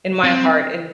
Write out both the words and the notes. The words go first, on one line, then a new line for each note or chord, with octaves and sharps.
in my heart and
C4